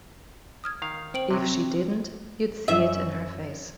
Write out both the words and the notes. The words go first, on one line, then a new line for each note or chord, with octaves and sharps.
If she didn't, you'd see it in her face.
D#6 F6 G#6
D#3 F5
C4 G5 D7 F#7
C3 F#3
F#2 E5